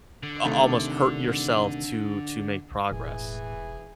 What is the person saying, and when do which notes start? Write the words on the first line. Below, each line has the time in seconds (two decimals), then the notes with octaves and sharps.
a almost hurt yourself to to make progress.
0.23 D3
0.45 C3 D#3 A3
2.91 E1 A2 E3 G#4